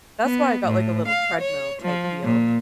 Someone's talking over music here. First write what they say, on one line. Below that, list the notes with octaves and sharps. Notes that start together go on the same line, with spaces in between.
that's why I got, like, a little treadmill type deal.
B3
A2
F5
C#5
F3
A#2